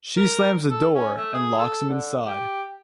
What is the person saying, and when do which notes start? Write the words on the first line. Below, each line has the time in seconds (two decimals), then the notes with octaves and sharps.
She slams the door and locks him inside.
0.17 A#4
0.70 A4
0.95 C#4
1.17 A3
1.34 G#4
1.58 A4
1.89 D3
2.27 G4